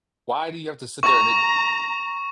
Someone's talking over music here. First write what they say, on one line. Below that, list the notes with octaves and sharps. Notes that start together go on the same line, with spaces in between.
Why do you have to sit there and then
A#5 C#6